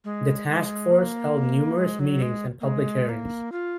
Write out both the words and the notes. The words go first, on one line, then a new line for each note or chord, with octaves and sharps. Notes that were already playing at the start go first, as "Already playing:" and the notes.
The task force held numerous meetings and public hearings.
G#3
G#3
A#3
G#3
F#3
G#3
A#3
G#3
A#3
F4